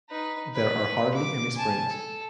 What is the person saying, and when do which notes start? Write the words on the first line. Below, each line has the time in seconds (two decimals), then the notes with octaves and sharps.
There are hardly any springs.
0.10 D#4 B4
0.54 B4
1.14 D6
1.56 G#5 A5
1.89 A4